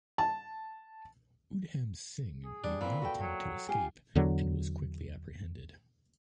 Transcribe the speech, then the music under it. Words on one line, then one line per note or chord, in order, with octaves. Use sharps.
Udham Singh made no attempt to escape and was quickly apprehended.
A5
G#4
G3 D4
A#2 E3 C4 B4
F#4 A4 G5
F#3
F4 G4 G#5
E2 D3 F#3